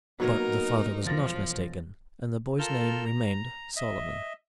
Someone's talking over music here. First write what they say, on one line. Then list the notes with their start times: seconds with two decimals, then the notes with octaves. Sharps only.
But the father was not mistaken, and the boy's name remained Solomon.
0.20 F#3 A#3 B3 D#4 A#4
1.05 E1 F3 A6 A#6
2.59 F4 A4 A#4 E6 F6 G6
3.05 A#5
3.76 D#5 E5